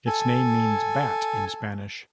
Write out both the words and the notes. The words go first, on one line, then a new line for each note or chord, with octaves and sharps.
Its name means bat in Spanish.
A4 G#5